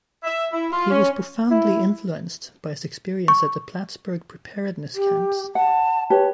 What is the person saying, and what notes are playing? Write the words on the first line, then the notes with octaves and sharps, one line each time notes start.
He was profoundly influenced by his experience at the Plattsburg Preparedness camps.
E5
E4
F4
C#4
E4
C#6
G4
F#5 A5
G4 B4 C#5 A5